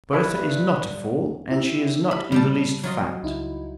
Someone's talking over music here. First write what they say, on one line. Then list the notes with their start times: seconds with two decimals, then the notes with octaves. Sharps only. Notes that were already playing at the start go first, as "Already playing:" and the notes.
Bertha is not a fool, and she is not in the least fat.
0.13 G2 D3 G3 E4 B4 A5
1.51 E4 G4 E5
2.11 B5
2.32 C#3 G3 G5 A5
2.84 F#3 F4 D#5
3.22 C#2 D#4 E4